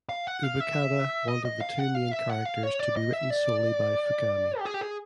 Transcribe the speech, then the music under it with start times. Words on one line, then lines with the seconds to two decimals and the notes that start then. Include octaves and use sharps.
Ubukata wanted the two main characters to be written solely by Fukami.
0.09 F5
0.27 F#5
0.43 F5
0.61 E5
1.28 D#5
1.45 D#5
1.61 F5
1.79 F#5
1.95 F5
2.11 E5
2.30 F#5
2.45 F5
2.63 C#5
2.79 D5
2.96 D#5
3.13 E5
3.30 D5
4.59 G4
4.65 G#4
4.74 G4
4.81 G#4